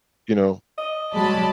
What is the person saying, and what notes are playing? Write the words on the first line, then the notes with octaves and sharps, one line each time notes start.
you know,
D#5
F#3 G#3 D5 A5 B5